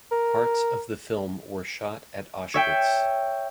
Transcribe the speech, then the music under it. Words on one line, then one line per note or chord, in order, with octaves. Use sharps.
Parts of the film were shot at Auschwitz.
A#4
C#5 E5 G5